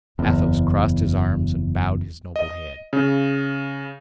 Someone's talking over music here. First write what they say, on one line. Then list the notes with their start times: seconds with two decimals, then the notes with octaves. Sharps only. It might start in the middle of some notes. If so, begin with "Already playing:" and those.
Athos crossed his arms and bowed his noble head.
0.19 F#1 E2
2.36 D#5
2.93 C#3